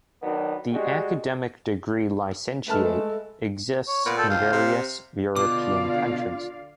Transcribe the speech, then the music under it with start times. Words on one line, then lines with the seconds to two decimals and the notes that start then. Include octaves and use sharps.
The academic degree licentiate exists in various European countries.
0.21 D#3 F#3 B3 D4
0.71 G3 G#3 F#4
2.68 G#3 A3 A4 B4 A5 F6
3.88 C#5
4.06 A#2 B3
4.18 A4 G5
4.30 C#2 F5
4.52 C3
5.36 B2 D3 F4 D5 F5 D6